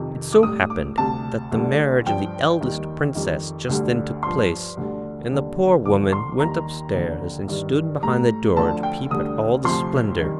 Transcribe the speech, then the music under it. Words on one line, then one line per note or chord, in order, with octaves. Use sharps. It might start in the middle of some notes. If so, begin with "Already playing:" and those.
It so happened that the marriage of the eldest Princess just then took place, and the poor Woman went upstairs and stood behind the door to peep at all the splendour.
Already playing: F2 C3 D#3
D6
A2 G3 D#6
D6
D2 C3 G3 A5
D2 D3 G3
G2 F3 G5
D#2 D#3 G3
F2 D#3 G3
D2 D3 G3
G2 F3 C6
D2 D3 G3
D#2 D3 G3
D#2 D3 F3 D6
C6
D#2 D#3 G3 A#5
D#2 D3 F3
G2 D#3 G3
A2 G3 A#5
D2 D3 F3 A5
G5
D2 D3 G3 D#6
D2 C3 F3 C6
D#3 G3